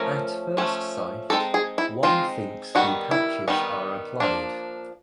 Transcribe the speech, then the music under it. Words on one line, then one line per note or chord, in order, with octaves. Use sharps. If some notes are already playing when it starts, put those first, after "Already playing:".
At first sight, one thinks the patches are applied.
Already playing: F3 A3 C#4 A#4
F3 A3 C#4
G#3 C4 D#4 A4
G#4
E4
G#3 C4 D#4 F4
D#3 G3 B3 D#4 F#4
E4
D#3 G3 B3 D#4
F3 A#3 D4